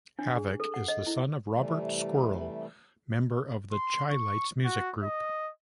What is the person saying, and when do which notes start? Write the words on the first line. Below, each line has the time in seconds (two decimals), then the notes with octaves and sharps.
Havoc is the son of Robert Squirell, member of The Chi-Lites music group.
0.19 D4
0.36 G#4
0.60 A4
0.74 F#5
0.88 D#5
1.07 E4
1.53 C3 E3 G3 A3
3.72 C6
4.09 C#6
4.65 F#4
5.03 D#5